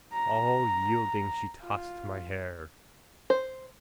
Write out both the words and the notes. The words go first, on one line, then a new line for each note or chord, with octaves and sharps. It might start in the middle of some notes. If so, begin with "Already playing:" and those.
All yielding she tossed my hair.
A#5
F4
C5